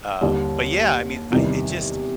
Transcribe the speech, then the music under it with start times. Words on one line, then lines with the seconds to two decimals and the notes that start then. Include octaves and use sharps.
Um, but yeah, I mean, I it just
0.21 D#2 D3 G3
1.30 E2 C3 D#3 G3